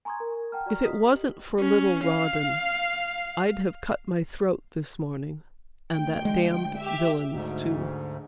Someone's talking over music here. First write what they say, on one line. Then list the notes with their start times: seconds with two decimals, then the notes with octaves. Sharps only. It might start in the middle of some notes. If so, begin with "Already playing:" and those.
"If it wasn't for little Rawdon I'd have cut my throat this morning--and that damned villain's too."
0.05 G#5 A#5 C6 C#6 D#6 G#6
0.20 A#4
0.52 F#5 G5 A5 A#5 F6
0.66 F#4 D5 A#5 C#6 F6
0.84 D#5 D#6 B6
1.04 G4 F#7
1.59 C#4
2.05 F5
5.92 D2 G5
6.25 G#3
6.79 G4 E5
7.32 D2 G#2